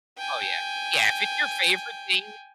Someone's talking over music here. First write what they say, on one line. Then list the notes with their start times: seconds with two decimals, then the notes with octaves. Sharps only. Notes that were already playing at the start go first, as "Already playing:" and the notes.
Oh, yeah. Yeah. If it's your favorite thing
0.18 G5 G#5